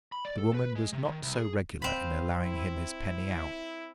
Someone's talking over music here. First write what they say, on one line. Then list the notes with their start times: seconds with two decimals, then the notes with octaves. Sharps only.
The woman was not so regular in allowing him his penny out.
0.12 B5
0.25 D5
0.38 A4
0.54 B4
0.76 G#3
0.92 C3
1.05 D#3
1.23 C2
1.38 G#4
1.82 C4 C5 F5 B5
2.43 E4